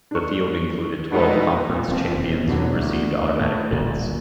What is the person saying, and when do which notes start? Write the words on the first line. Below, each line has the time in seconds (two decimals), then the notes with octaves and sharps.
The field included twelve conference champions who received automatic bids.
0.11 D4 C#6
1.12 B2 G#3 A3 B3 D4 D#4 F#4
1.70 A#2
1.89 D#1 F3 C4
2.47 E2 B2 D3 F#3
2.75 D2
3.40 A2
3.73 D1 G1 A#2